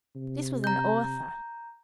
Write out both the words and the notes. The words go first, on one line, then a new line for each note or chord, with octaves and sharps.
This was an author.
C3
A#5 G6